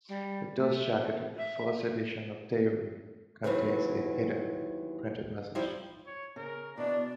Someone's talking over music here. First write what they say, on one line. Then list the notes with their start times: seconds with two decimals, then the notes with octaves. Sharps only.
The dust jacket of the first edition of "Diary" contains a hidden printed message.
0.08 G3
0.57 A3
1.38 E5
3.44 D#2 E3 F#3 C4 B4
5.55 F3 G3 C4 D#4 E4
6.06 C#5
6.36 C#3 A#4
6.78 B2 E3 D4 D5